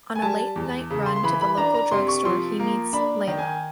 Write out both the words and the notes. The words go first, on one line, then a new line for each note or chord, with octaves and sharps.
On a late night run to the local drug store he meets Leilah.
G#5
G3 A5
E2
C#3
C6
C6
E3 B5
B5
D4 A#5
A#5
C3 C6
C#6
F3 C6
A#3
D4 B5
D#3
G#5